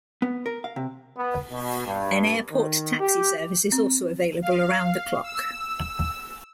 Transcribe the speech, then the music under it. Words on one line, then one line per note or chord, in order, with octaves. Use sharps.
An airport taxi service is also available around the clock.
B3
A#4
F5
C3
B3
B2
G2
D#3
G4
C4
F5
E6